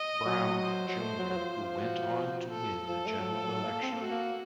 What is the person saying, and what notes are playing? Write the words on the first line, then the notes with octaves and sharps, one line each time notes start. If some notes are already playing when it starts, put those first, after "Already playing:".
Brown, Junior who went on to win the general election.
Already playing: D#5
F#3
C5
F#3
A3
F#3
F#3
F3
F#4
F#4
A4
F3 A4
A3
F#3
F3
F#3
A#3
C4
A#3
A3 F#4
A#3